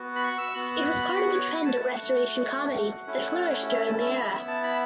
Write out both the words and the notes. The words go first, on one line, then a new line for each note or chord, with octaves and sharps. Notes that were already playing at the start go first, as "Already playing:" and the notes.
It was part of the trend of Restoration Comedy that flourished during the era.
Already playing: B3 F#4
B5
C#6
E6
B3 F#4 F#6
B5
F#5
C#5
B4
A5
A3 F#4 F#5
A3 C#4 E4
E5
A5
E6
B5
B3 E4
A5
B5